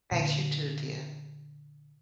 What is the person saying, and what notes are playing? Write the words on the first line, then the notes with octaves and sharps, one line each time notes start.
Thanks, you too, dear.
A#2 D3